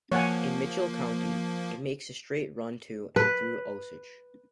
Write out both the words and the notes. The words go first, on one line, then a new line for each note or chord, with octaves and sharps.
In Mitchell County, it makes a straight run to and through Osage.
F3 A#3 C#5 F#5 G#5
B4